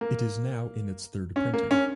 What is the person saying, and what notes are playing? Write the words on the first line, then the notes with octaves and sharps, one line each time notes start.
It is now in its third printing.
A#3
C#4
A#3
C#4